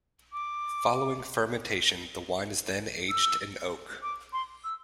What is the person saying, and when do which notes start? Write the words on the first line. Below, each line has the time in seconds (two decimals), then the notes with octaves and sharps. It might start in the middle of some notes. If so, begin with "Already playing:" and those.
Following fermentation the wine is then aged in oak.
0.33 D6
3.10 E6
4.02 D6
4.33 C6
4.64 E6